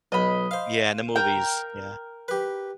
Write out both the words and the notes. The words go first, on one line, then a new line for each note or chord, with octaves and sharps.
Yeah, in the movies. Yeah.
B1 D#5 B5
C5 F5
A#4 G5
G4 B4